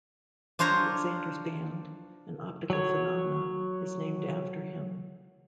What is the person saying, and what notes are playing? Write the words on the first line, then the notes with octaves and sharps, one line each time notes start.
Alexander's band, an optical phenomenon, is named after him.
D4 F4 C5 C#5 A#5
F#3 C#5